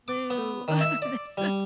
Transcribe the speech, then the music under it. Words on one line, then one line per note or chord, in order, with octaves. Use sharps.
Lou. Oh, that's so
D6
B3
D#3
E5
D5
G3